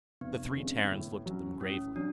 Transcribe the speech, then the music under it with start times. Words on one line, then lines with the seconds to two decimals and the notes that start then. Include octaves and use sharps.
The three Terrans looked at them gravely.
0.21 F1 B3
0.56 F2 D3 G#3 C#4
0.91 A2
1.26 F#3 C#4
1.61 A2 C#4
1.96 F#3 C#4 D4